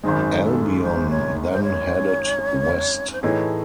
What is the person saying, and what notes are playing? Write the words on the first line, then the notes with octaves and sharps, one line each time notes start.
"Albion" then headed west.
G#1 F#2 D#3 G#3 C5
A4
C5
C#5
C5
C#5
C5
A2 E3 A3 D#4 G#4 C#5